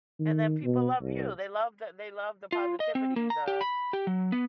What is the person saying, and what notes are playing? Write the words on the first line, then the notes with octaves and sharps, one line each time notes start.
And then people love you. They love the they love the positivity, the
D#3
B2
C2
F4
D#5
C4
A#3
A#5
G4
B5
G4
F#3
B3